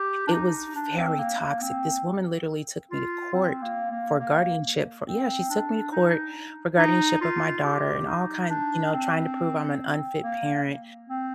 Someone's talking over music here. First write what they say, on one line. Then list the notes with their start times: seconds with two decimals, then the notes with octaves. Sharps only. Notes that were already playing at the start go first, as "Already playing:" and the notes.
it was very toxic. This woman literally took me to court for guardianship for yeah, she took me to court for guardianship of my daughter and all kind you know, trying to prove I'm an unfit parent.
Already playing: G4
0.27 D4
0.32 D#4
0.75 D4
0.97 C4
1.18 A#3
1.39 A#3
1.61 C4
2.91 F4
3.33 C4
3.62 A#3
3.91 A#3
4.19 A#3
5.06 C4
5.49 D4
5.92 D#4
6.78 D#4
7.21 F4
7.64 G4
8.07 D#4
8.50 D4
8.93 C4
10.23 A#3
11.09 C4